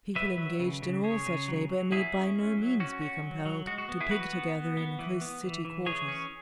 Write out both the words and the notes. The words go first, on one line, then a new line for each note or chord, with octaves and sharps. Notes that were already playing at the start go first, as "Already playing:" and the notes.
People engaged in all such labour need by no means be compelled to pig together in close city quarters.
F#3 B4 E5
F#3
C#3
C#3
C#3 G#4 C#5
C#3
F#3
F#3
F#3 E4 G#4
C#4
C#4
F#3
C#4 F#4
C#4
F#3
F#3
G#3 F#4
F#4
B3
E4 G#4
E3 F#4 B4
B3
B3
B3
E3
B3
E3
E3
E3 G#4 C#5
C#4